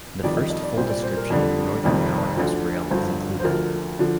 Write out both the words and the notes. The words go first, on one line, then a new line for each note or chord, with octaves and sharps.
The first full description of Northern Powerhouse Rail is included.
F2 D#3 G3 D5
D#5
D#5
D5
C2 A#2 G3 C5
D5
C5
A#4
F2 D3 G3
F1 F2 D#3 G3
D2 D3 F3
G1 G2 D3 F3 C5
C5
D2 D3 F3 A#4
D3 F3